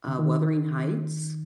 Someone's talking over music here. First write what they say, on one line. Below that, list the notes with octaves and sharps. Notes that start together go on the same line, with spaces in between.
uh, Wuthering Heights.
D3
D#3